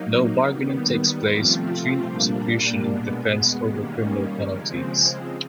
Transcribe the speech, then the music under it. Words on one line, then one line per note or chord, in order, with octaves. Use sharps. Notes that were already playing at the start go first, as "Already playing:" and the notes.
No bargaining takes place between the prosecution and the defence over criminal penalties.
Already playing: F#3 A#3 D#4
D#3 G3 B3
C3 F3 A3 C4 F4
A#2 G3 A#3 D4
B2 G#3 B3
D#3 G3 A#3 C#4
C#3 F3 G#3 C4